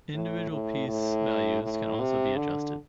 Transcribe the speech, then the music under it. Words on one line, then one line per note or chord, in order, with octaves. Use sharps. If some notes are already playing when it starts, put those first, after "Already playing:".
Individual piece values can also be adjusted.
A2
A2
A2
A2
C3
D3